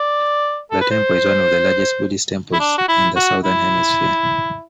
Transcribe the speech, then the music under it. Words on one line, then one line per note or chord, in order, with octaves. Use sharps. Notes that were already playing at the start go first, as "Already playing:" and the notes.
The temple is one of the largest Buddhist temples in the southern hemisphere.
Already playing: D5
A4
B4
C5
E4
D4
F#4
E4
F#4
E4